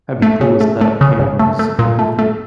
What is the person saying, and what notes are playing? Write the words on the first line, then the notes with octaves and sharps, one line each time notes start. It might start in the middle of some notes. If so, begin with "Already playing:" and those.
That'd be cool to set up cameras and everything.
A3
C#3
A3
A3
C#3
C#3
A3
A3
A#2
A3
A3